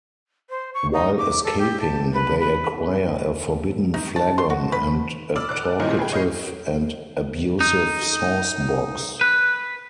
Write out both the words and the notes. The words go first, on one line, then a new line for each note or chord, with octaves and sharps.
While escaping, they acquire a Forbidden Flagon and a talkative and abusive Sauce Box.
C5
C#6
D#4
D6
A4
G4
A5
B4
B4
D#4
A5
C6
F#4
B4
D5 E6 F6
D5 D6 F#6
G2 A#2 D#3 C#4 D#4 E4
G#4 B4 G5
C#5 D#5 F6 G6 C7
D#4
B4